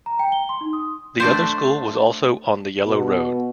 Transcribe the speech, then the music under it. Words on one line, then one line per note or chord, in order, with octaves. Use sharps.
The other school was also on the Yellow Road.
A#5
G5
G7
C6
D#4
D#6
A3 D4 C5
B2